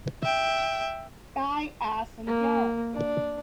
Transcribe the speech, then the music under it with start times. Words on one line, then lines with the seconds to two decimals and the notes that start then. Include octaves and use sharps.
Sky, Ass and yarn!
0.23 E5 G5
2.27 A#3
2.93 D4